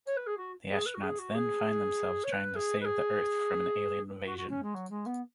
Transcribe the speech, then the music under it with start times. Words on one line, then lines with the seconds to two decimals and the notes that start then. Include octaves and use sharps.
The astronauts then find themselves trying to save the Earth from an alien invasion.
0.06 C#5
0.16 B4
0.26 G#4
0.37 F#4
0.70 G#4
0.86 B4
0.94 F#4
1.02 G#4
1.18 F#4
1.34 G#4
2.23 C#5
2.31 B4
2.55 G#4
2.80 B4
2.84 G#4
4.25 F#4
4.37 F#4
4.49 C#4
4.62 G#3
4.74 F#3
4.90 G#3
5.06 B3